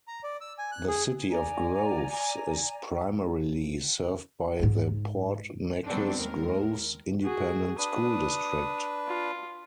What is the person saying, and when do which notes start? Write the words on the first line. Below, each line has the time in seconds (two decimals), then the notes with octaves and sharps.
The City of Groves is primarily served by the Port Neches-Groves Independent School District.
0.08 A#5
0.24 D5
0.41 E6
0.58 G#5
0.72 F#6
0.88 G#4
1.30 D5 G#5 A#5
4.60 G#2 G#3
5.87 F#3 G3 B3 C4 D4
6.18 D#2 G#3 A#4
7.22 F#4 G#4
7.78 D4 B4 D#6
9.07 F4